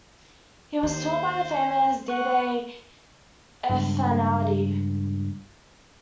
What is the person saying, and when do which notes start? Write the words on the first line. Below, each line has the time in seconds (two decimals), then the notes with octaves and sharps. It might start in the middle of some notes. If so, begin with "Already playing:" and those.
He was taught by the famous Dede Efendi.
0.83 D#2 C5
2.08 F#5 C#6 F#6
3.69 G2 C#3 G#3